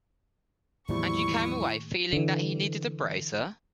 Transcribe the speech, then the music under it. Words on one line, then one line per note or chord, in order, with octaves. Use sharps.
And you came away feeling that he needed a bracer?
E2 A2 D#3 F3 G3 A#3 E4 C#6
D3 E3